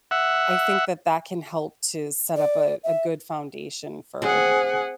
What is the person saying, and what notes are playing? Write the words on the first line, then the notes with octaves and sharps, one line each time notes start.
I think that that can help to set up a a good foundation for
E5 F#5
D5
E5
C4 G#4 F#5